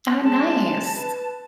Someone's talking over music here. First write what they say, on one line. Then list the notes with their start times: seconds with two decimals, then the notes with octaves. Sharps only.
Oh, nice.
0.22 G#3 A5
0.96 B4